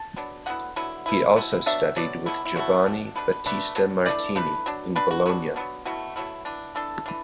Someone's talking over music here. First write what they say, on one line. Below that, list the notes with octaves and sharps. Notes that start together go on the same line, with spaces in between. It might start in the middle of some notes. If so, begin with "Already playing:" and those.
He also studied with Giovanni Battista Martini, in Bologna.
Already playing: A5
F#3 B3 D4
D3 F#3 B3 E4 F#5
D3 F#3 B3 E4
B2 B3 E4
B2 B3 E4
F#3 B3 D4 E5
F#3 B3 D4 D5
B2 F#3 A3 E4
E4
B2 F#3 A3 E4 F#4
B2 A3 D4
B2 A3 D4 B4
F#3 A3 D4 B4
F#3 A3 D4
E3 A3 D4 D5
E3 A3 D4 B4
F#3 D4
F#3 D4 B4
F#4
F#3 B3 D4 F#4
F#3 B3 D4
B2 F#3 A3 E4 F#4
B2 F#3 A3 E4
E3 D4
E3 D4 A4
E3 D4